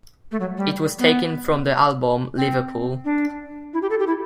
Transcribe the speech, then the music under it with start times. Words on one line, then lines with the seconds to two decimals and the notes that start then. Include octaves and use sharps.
It was taken from the album "Liverpool".
0.32 A3
0.40 F#3
0.57 G3
0.99 B3
2.37 C4
3.05 D4
3.74 E4
3.82 G4
3.90 A4
3.99 G4
4.07 E4